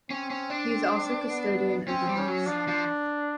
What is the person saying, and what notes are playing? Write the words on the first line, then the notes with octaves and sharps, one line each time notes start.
He is also custodian of the house.
C4 C#4
C#4
D4
C4
B3
C4 C#4
G3
C#4
F#3
F3 D4
F3